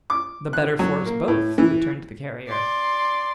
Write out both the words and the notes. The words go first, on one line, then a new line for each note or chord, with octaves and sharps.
"The better for us both," returned the Carrier.
D6
F#6
F#3
A#3
A2
E3
D5 C6